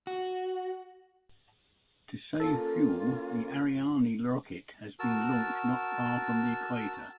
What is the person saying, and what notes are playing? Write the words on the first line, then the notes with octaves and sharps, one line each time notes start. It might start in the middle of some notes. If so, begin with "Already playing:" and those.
To save fuel, the Ariane rocket has been launched not far from the equator.
F#4
A#3 C#4 F4 A4
F#4 A#4 A5 E6